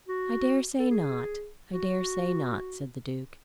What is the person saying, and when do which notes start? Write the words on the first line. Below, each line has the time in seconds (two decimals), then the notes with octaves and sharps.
"I dare say not; I dare say not," said the Duke.
0.08 F#4
0.79 A4
0.91 G#4
1.72 F#4